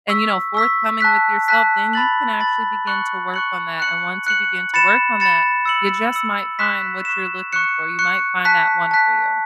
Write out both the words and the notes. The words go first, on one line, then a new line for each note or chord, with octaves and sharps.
and, you know, forthcoming with yourself, then you can actually begin to work on that, and once you begin to work on that, you just might find what you're looking for. You might find that one for you.
C#6 E6 B6
C#6 E6 B6
A5 F#6 B6
A5 F#6 B6
B5 A6 F#7
B5 A6 F#7
C#6 F#6 C#7 F#7
C#6 F#6 C#7 F#7
F#6 C#7 F#7
F#6 C#7 F#7
B5 A6 C#7 E7
B5 A6 C#7 E7
E6 C#7 F#7
E6 C#7 F#7
C#6 F#6 B6 E7
C#6 F#6 B6 E7
C#6 F#6 C#7
C#6 F#6 C#7
A5 F#6 B6
A5 F#6 B6